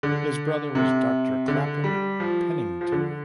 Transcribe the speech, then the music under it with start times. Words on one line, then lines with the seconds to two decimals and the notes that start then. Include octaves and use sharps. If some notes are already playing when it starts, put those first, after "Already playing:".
His brother was Doctor Clapham Pennington.
0.03 D3
0.75 C3
1.48 D3
1.84 G3
2.20 F3
2.81 F3
2.92 D3